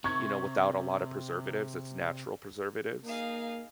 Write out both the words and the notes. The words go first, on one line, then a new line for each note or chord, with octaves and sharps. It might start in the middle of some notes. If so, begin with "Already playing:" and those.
you know, without a lotta preservatives. It's natural preservatives.
C3 C#6 G#6
A#3 D#4 G#4 F5